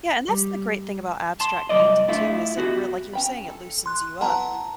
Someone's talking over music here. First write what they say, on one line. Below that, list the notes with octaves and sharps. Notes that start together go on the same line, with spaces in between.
Yeah, and that's the great thing about abstract painting, too, is that real like you're saying, it loosens you up.
G3
A5 C6
C2 G2 F#3 D5 D#5
A3 D4 E4 F4
B3 F#4 G4
C#4 G5 B5
A4
C6 F#6
F#3 B3 E4 F#5 A5 A#5